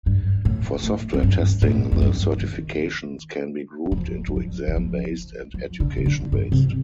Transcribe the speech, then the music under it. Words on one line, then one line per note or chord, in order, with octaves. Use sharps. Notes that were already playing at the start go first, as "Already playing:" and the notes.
For software testing the certifications can be grouped into exam-based and education-based.
G2
A2
A2
F2
G2
A2
F2
G2
D#3
G3
F3
G3
F3
D#3
F3
F3
D3
C3
D3
G2
C3